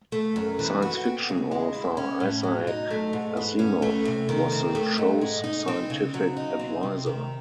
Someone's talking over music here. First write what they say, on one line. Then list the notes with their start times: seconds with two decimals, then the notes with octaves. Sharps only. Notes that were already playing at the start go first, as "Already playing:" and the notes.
Science fiction author Isaac Asimov was the show's scientific adviser.
0.12 A3
0.36 F#2
0.59 E3
0.82 F#4
1.05 C4
1.29 C#3
1.51 G#3
1.74 E4
1.97 C#4
2.20 A2
2.43 F#3
2.67 D#4
2.91 A3
3.13 G#2
3.37 E3
3.59 C#4
3.82 A3
4.05 C3
4.29 D#3
4.52 C4
4.75 A3
4.98 G#2
5.21 G#3
5.44 D#4
5.68 C4
5.90 C#3
6.14 F#3
6.37 D#4
6.59 C4
6.83 C3
7.06 D#3